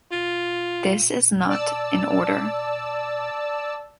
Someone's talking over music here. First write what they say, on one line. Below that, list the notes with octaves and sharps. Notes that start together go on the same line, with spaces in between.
This is not in order.
F4
D5 A5 E6